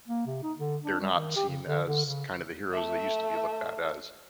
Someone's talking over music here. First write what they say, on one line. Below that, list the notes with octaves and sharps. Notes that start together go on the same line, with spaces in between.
they're not seen as, kind of, the heroes they used to be looked at as.
A#3
C3
D#4
D3
D4
G3
D#3
G4
C#3
D3
D3
C#3
A3 E5